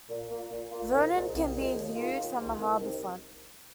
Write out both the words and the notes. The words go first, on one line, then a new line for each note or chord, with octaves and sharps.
Vernon, can be viewed from the harbor front.
A#2
A#3 F4
A#2
A#3 F4
C2
A#2 F3 G#3
C2
A#2 F3 G#3
D#2
D#3 G#3 F4
D#2
D#3 G#3 F4
C2
C3 D#3